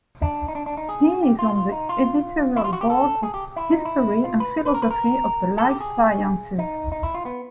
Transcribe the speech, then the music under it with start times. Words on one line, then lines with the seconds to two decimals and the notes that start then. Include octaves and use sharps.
He is on the editorial board of "History and Philosophy of the Life Sciences".
0.22 D4
0.48 D#4
0.55 D4
0.66 D4
0.77 D#4
0.89 G#4
1.23 G4
1.39 F4
1.56 F4
1.72 D#4
1.89 F4
2.56 E4
2.64 F4
2.73 F#4
2.81 G4
2.90 A4
3.23 G#4
3.34 G4
3.56 E4
3.71 D#4
3.85 E4
4.24 F4
4.40 B4
4.65 B4
4.74 A#4
4.82 B4
4.91 A#4
5.58 A4
5.69 G4
5.80 G#4
6.58 D#4
6.92 D#4
7.03 E4
7.15 F4
7.25 B3